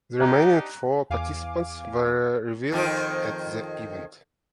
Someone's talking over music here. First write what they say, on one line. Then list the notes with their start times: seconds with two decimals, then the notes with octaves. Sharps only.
The remaining four participants were revealed at the event.
0.20 D4 D#4 G4 A#5 F#6
1.10 E2 F5 G#5 D6
2.72 F2 D#3 C4